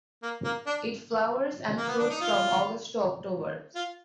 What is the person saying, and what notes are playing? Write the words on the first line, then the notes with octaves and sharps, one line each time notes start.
It flowers and fruits from August to October.
A#3
A#3
D4
A#3
B3
D4
D#4
F4
F4